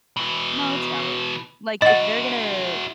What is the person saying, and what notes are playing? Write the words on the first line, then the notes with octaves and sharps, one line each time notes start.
No, that's valid. Like, if they're gonna
B2 E3
E4 F#4 D#5 F#5